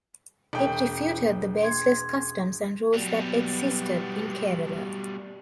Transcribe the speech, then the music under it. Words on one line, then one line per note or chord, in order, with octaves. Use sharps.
It refuted the baseless customs and rules that existed in Kerala.
E1 G5
C6 G#6
B2 F#3 G3 B3